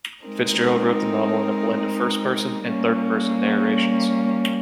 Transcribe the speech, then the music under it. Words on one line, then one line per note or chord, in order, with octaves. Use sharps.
Fitzgerald wrote the novel in a blend of first person and third person narrations.
G#3 C4 D#4 A#4
G3 A#3 C#4